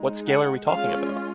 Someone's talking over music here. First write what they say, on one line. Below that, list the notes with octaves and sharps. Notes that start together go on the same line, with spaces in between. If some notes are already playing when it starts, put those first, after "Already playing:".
What scale are we talking about?
Already playing: G#3 D#4
F#5
G#3 C#4 F4 F5